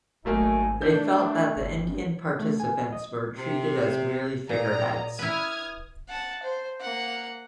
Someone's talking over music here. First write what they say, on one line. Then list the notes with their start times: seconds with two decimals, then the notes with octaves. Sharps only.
They felt that the Indian participants were treated as merely figureheads.
0.25 G#1 F#3 A3 A#3 D#4 G#5
0.82 A3 D4 G6
1.56 G1
2.39 A3
2.60 G#5
2.93 D#5
3.37 C3
4.49 A#2 D5 D#5 A#5
5.19 E4 B4 D#6 F6 G#6
6.09 F#5 A5
6.43 C5
6.81 A#3 F#5